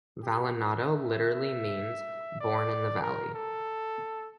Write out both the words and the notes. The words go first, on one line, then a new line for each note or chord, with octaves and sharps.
"Vallenato" literally means "born in the valley".
G4
E5
D5
A#4
A4